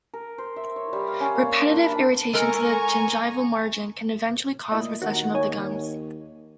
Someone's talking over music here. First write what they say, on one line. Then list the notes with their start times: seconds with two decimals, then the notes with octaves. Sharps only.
Repetitive irritation to the gingival margin can eventually cause recession of the gums.
0.14 A#4
0.38 C5
0.56 E5
0.76 C#5
0.93 G3
1.08 F5
1.20 C#4
1.35 A#3
1.57 C6
1.70 D4
1.84 B5
1.96 D4
2.33 G#3 A4 A#4 G#5 A#5 C#6
4.72 A#2 E4 D#5
5.02 D#2 F#4 A#4
5.34 D#4 C#5 G#5